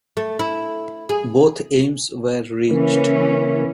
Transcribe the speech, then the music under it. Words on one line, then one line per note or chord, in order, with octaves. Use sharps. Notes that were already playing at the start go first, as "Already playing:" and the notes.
Both aims were reached.
A3
E4
G#4
C#3 E3 A#3 C#4